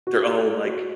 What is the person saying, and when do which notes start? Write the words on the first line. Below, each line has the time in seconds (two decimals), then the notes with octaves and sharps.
their own, like,
0.07 F#4
0.26 G4
0.65 F#4